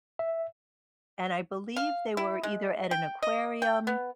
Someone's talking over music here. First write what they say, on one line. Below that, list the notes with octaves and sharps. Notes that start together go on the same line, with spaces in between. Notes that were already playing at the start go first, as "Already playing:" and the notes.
and I believe they were either at an aquarium,
E5
F5
E4
G#3
G5
D#5
G5
B3